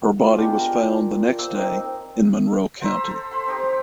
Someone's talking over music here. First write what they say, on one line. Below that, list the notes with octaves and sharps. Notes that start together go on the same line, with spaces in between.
Her body was found the next day in Monroe County.
A#3 F4
G#3 B3 D4 G4
A#4
A#3 C5 E6
C4 D#4 A#4
C5 A#5 B5 E6
A4
C5 B5 C6
C4 D#4 G4